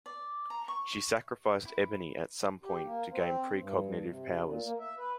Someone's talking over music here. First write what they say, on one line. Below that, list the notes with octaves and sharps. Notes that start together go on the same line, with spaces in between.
She sacrificed Ebony at some point to gain precognitive powers.
D5
A#5
C#6
E4
G4
A#3
C4
G2
C3
A#2
A#3
E5
B4